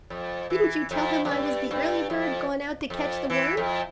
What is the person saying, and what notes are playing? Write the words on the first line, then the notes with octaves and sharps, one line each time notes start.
"Didn't you tell him I was the early bird gone out to catch the worm?"
F2
E3
F2
F2
G2
G2
F2
F2
E3
F2